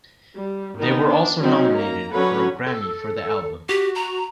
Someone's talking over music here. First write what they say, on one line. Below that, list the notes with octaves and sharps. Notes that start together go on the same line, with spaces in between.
They were also nominated for a Grammy for the album.
G3
D#3 B3 D#4
D4
F#3 C4 C#4 D#4
A#3 A#5
D3 F#3 C#4 B4 C#5 F#5
A4
F#4 G4
A#5